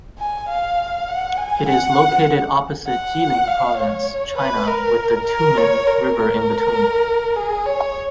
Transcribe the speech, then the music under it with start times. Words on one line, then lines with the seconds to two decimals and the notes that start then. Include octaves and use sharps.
It is located opposite Jilin Province, China, with the Tumen River in between.
0.19 G#5
0.48 F5
1.08 F#5
1.37 G#5
1.68 F#5
2.87 F#5
3.47 F5
3.77 C#5
4.37 B4
4.67 A#4
5.26 A#4
5.57 C#5
5.86 A#4
6.17 A#4
7.36 G#4
7.66 C#5